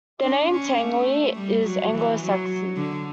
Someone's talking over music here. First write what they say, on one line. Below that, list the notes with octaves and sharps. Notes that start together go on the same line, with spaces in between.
The name Tangley is Anglo-Saxon.
D4
C#4
A3
G3
F#3
E3
F#3
D3